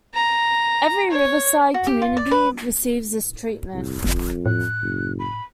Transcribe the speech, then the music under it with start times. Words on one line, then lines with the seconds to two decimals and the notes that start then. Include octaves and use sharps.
Every riverside community receives this treatment.
0.15 A#5
1.11 C#5
1.74 F#4
1.87 G4
2.02 F4
2.17 D5
2.31 B4
3.74 C2
4.04 G1 F2
4.46 A2 F#6
4.82 F#1
5.19 B5